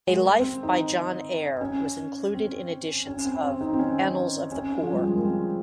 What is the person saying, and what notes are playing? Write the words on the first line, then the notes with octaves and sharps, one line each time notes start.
A life by John Ayre was included in editions of "Annals of the Poor".
G#3
A#3
C4
D#4
C#4
C4
C#4
C4
C4
D#4
C4
C#4
C#4
F3
G3
G#3
A#3
C4